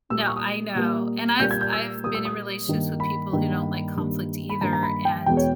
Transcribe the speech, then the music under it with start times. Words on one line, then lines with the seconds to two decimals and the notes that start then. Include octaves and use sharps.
No, I know. And I've I've been in relationships with people who don't like conflict either, and
0.10 A#2 G3 A#3 E6
0.18 D#6
0.28 C#6
0.36 D#6
0.75 A#2 G3 A#3
1.40 A#2 G3 A#3 G6
1.51 G#6
1.61 G6
1.72 E6
2.04 A#2 G3 A#3 D#6
2.14 E6
2.25 D#6
2.68 G2 D#3 A#3
3.00 B5
3.33 G2 D#3 A#3
3.97 G2 D#3 A#3
4.49 B5
4.61 G2 D#3 A#3 A#5
4.73 A#5
4.83 B5
5.05 G5
5.26 E2 B2 G#3 B3 G5
5.37 C#5